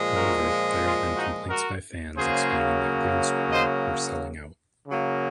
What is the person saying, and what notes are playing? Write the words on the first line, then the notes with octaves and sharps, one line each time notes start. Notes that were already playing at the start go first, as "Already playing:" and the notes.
However, there have been complaints by fans explaining that Grinspoon were "selling out".
Already playing: A#2 F3 G#3
F#4 A#4
F4 G#4
D#4 F#4
F#4 A#4
C#3 F#3 A#3 G#4 C5
C5 D#5
C#3 F#3 A#3